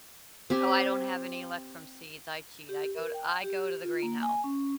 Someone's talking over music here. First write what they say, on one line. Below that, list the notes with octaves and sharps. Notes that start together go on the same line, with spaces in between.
Oh, I don't have any luck from seeds, I cheat, I go I go to the greenhouse.
C4 G4 G#5
G4
A#4
G5
G4
F4
A#3
G#5
C#4